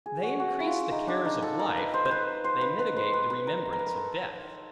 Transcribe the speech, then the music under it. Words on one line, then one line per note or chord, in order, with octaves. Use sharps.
They increase the cares of life; but they mitigate the remembrance of death.
G#4
F#4
F#4
E4
F4
D#4
D4
D#4
A4
A#4
B4
C5
C5
B4
C5
B4
B4
C5
B4
B4
A#4
A#4
B4
A#4
A4